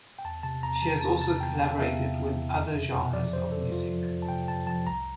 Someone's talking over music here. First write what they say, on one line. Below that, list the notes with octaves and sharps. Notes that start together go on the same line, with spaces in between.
She has also collaborated with other genres of music.
G5
E2 A5
C3 A5
E2 A#5
A#5
E3 A5
E2 A5
C3 A5
E2 G5
E3 F5
E2 E5
C3
E2
E3
F2
C3
F2
F3 D5
F2 C5
C3 A4
F2 F4
F3
F2
A5
C3 G5
F2 A5
F3 A5
C2 A#5